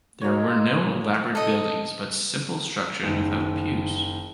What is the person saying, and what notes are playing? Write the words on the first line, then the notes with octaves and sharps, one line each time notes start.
These were no elaborate buildings but simple structures without pews.
G#3 A#3 F#4 C#5
A4 D#5
F#1 D#3